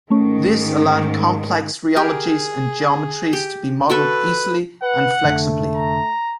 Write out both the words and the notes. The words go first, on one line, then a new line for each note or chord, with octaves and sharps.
This allowed complex rheologies and geometries to be modelled easily and flexibily.
G#2 D#3 A3 C#4
G4 G#4 A#4
G4
F#4 A4 B4 E5
B4 F#5
F1 D3 A3
A#5